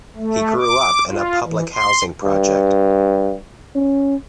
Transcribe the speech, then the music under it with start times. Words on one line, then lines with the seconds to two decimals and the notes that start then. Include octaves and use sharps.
He grew up in a public housing project.
0.16 A3
0.60 D6
1.09 F4
1.44 E3
1.73 C6
2.24 G2
3.76 C#4